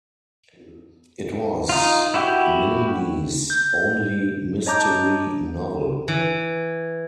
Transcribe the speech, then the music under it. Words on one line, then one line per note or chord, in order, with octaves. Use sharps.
It was Milne's only mystery novel.
D#4 F4
E4 F#4 G4
G6
C#5 D#5 A5 A#5 D6 G6
E3